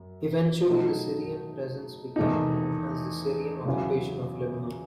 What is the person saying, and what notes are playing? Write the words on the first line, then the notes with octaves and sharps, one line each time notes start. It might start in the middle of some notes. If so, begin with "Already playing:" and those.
Eventually the Syrian presence became known as the Syrian occupation of Lebanon.
Already playing: F#2
B2 F#3 A3 D#4
E2 D#3 A3 D#4
E2 C#3 F#3 C#4 E4